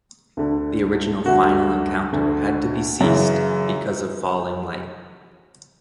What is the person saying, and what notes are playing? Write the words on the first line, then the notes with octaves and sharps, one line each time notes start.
The original final encounter had to be ceased because of falling light.
D2 D3
D2 D3 F#4
D2 D3
F#2 C#3 E3